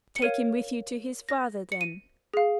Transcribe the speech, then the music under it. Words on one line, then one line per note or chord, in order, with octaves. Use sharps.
"Take him with you to his father then."
C#7
A#4 C#5 F5 D#7
A#6
C#7
D#7
G#4 F5